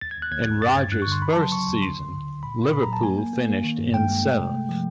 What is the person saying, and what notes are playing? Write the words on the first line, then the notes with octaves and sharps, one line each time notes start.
In Rodgers' first season, Liverpool finished in seventh.
D#2 A6
G#6
D#2
F#6
D#2 G#6
D#2
G2 A6
G2 G#6
G2 F#6
C#6
D3 C6
C#3 B5
A5
F#3
C6
C#3 C#6
D#2
D3 C6
D2
D3
D2
A#2 B5
A#2
A#2 B5
A#5
F#3
A5
A#3 G#5
A#3
A#3
A#3
D#3
G2
G2 G5
G#3
A3
C3
A3
F3